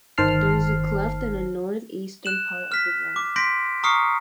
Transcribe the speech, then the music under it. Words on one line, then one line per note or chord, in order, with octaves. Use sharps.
There is a cleft in the northeastern part of the rim.
G1 D#3 C5 A5 F6 C7
F#6 E7 F#7
F6 B6
D6
C6 G6 A#6 B6 D7
A#5 C#6 D#6 F6 C7 C#7